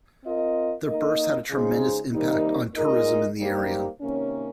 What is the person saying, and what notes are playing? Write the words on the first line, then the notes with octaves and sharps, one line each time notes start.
Their births had a tremendous impact on tourism in the area.
C4 F4 A#4 D#5
A#3 D#4 A#4 D#5
C#3 G#3 D#4 G#4 C5
C3 D#3 G3 A#3 D#4
A#2 G#3 D#4 A#4 D#5
G3 A#3 D#4 G4 C5
C3 D#3 A#3 C#4